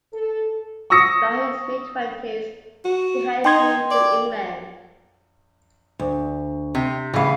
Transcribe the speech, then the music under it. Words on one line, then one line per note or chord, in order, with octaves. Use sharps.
By his mid-twenties he had moved to England.
A4
C#6 D#6 E6 A#6 C#7
F#4
D#4 G5 C6 G#6
D5
D2
C3
A2 C#3 E3 F5